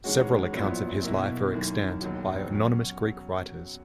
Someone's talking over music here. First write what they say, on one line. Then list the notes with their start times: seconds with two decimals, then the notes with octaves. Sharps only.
Several accounts of his life are extant, by anonymous Greek writers.
0.04 G#2 E3 G#3 C#4 F#4
0.53 A#1 A#2 F#3 B3 E4
1.02 B1 B2 A#3 E4
1.52 F#2 D#3 A#3 E4
2.01 E1 D#2 D#3 F#3
2.51 F#3 C#4 F#4